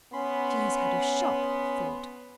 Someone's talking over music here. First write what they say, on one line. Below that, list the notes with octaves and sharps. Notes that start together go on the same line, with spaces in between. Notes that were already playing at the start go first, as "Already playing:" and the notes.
"She has had a shock," he thought.
B3 C#4 B5 C6